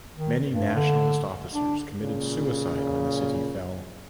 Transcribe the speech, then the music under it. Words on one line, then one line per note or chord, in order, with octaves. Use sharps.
Many Nationalist officers committed suicide when the city fell.
D#3
G2
D3
D4
A#2 C#3